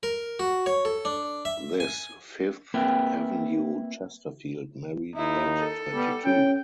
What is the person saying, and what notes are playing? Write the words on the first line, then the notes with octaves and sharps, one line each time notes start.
This Fifth Avenue Chesterfield married at twenty-two.
A#4
F#4
C#5
A4
D4
E5
G#5
A#3 C4 E4 A#4 B4 G5
D#2 D#4 E4
A4
G3 B3
C#4 G5